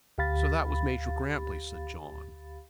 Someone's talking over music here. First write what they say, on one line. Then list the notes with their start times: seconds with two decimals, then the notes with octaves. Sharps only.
"So that was Major Grantly?" said John.
0.18 D2 G4 F5 B5 A6